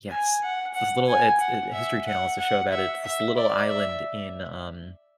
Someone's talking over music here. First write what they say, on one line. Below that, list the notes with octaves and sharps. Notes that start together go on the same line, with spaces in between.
Yes, this little, it's it the History Channel has a show about it's this little island in, um,
G#5
F#5
F#5
G#5
F#5
E5
F#5
F#5
E5
E5
D5
E5